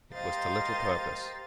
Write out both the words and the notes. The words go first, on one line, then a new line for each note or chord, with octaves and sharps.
It was to little purpose.
G4 A#4 C5 D#5 F5 A6